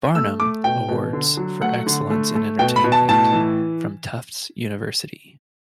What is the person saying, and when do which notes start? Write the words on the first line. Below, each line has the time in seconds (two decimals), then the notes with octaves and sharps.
Barnum Awards for excellence in Entertainment from Tufts University.
0.15 A3 E6
0.40 A3 D6
0.64 B2 G5
0.88 B2
1.13 D3
1.37 F#3
1.62 A3 F#5
1.86 D3
2.10 A3
2.35 A3
2.59 B2 G5
2.76 B5
2.84 B2
2.92 A5
3.08 A2 A5
3.33 E3